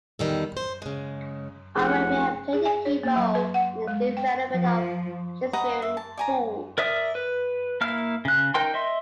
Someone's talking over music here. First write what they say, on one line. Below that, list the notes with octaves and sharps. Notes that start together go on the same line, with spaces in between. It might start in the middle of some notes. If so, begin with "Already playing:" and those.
Armin may have played a key role in the development of Shakespearian fools.
E2 G#2 D#3 G3 A4
C5
C#3 G#3
F1 G#4 B4 F#5
G#4
G#5
C#5
A#3
F#3
B4
F#5
G#3
G5
F3
B4 D#5 F#5 A#5
E5
A5
D5 G#5 A#5
A#4 D5 E5 D#6 F6
B4
A#3 E4 F5 F6
C#3 F#6
D#4 A#4 G5 C6
D#5 E5 C6